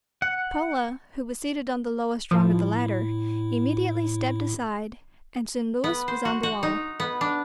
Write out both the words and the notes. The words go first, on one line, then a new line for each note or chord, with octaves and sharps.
Paula, who was seated on the lowest rung of the ladder, immediately stepped aside and soon Louis was on the wall.
F#5
A2 F3 E4
B3
C5
F#4
F#4
D#4
B3
D4